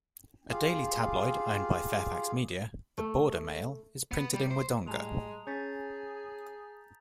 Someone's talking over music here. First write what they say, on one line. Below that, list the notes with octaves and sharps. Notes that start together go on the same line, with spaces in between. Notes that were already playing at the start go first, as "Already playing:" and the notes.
A daily tabloid owned by Fairfax Media, the "Border Mail", is printed in Wodonga.
F4 G4 G#4 F5
A3
B3
G3
C5
A2 G3 G#3 A5 A#5 F7
C#4 G#4 G6 A6 B6